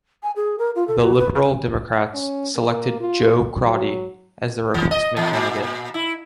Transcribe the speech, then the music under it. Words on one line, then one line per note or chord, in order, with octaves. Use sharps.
The Liberal Democrats selected Jo Crotty as their replacement candidate.
G#5
G#4
A#4
F4
A4
F#4
B4
C#4
A#3
F4
F#3
E3
D#5
E2
A#2
E4